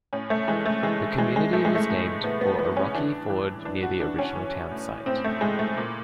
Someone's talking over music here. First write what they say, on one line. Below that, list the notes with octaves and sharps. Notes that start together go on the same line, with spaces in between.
The community was named for a rocky ford near the original town site.
A2 C#4
A3
E3 G#3
A3
E3 G#3
E3 G#3
G#3
A2 A3
G#3
A3
A2
A2 B3
B3
E3 B3
C#4
E3 D4
E3
E3 D4
F#4
E3 D4
C#4
E3
A2
A2 C4
A3
A2 G#3
A3
A#2